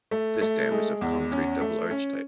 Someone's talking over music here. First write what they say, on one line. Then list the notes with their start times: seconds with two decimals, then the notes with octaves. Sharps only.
This dam is of concrete double arch type.
0.11 A3
0.41 A3
0.71 G#3
1.01 E2
1.32 C#4
1.61 A3
1.91 C#4